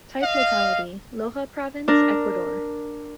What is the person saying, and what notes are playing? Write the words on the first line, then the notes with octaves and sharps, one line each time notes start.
Type locality: Loja Province, Ecuador.
D#5 F5
D4 A#4